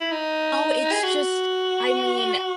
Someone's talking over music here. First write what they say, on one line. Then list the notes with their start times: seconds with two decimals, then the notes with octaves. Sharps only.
oh, it's just I mean,
0.01 E4
0.11 D#4
0.92 G#4
1.03 F#4